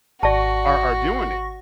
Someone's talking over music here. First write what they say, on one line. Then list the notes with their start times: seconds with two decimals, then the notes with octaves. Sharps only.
are are doing it.
0.23 G#1 F#4 D5 A5 C#6 A#6